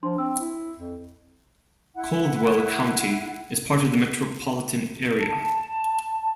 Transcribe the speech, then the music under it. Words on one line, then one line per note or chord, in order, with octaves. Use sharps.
Caldwell County is part of the metropolitan area.
F3 D4 C6
C4 E6
E4
F2
E4 F#5
A5